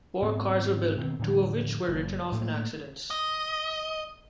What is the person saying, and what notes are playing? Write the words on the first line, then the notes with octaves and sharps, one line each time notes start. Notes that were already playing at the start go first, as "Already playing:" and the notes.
Four cars were built, two of which were written off in accidents.
G#2 B3 C4
B2 D#3 C4
A2 D3 F3
F#1
A2 A3 A#3
D#5